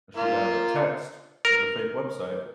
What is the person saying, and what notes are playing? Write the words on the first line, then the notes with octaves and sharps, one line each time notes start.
she got a text with a fake website
A#3 F4
A#4